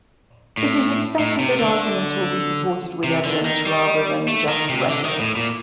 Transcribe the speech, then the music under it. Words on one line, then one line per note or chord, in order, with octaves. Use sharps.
It is expected that arguments will be supported with evidence, rather than just rhetoric.
A2
A2
C3
D3
C3
D3
D#3
G3
A3
D#3
C3
D3
D#3
A2
A#2